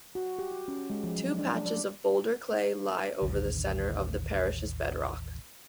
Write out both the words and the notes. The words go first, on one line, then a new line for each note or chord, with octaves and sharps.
Two patches of boulder clay lie over the centre of the parish's bedrock.
F#4
G4
C#4
G#3
F3
F#3
D4
D5
A1 D#2 D3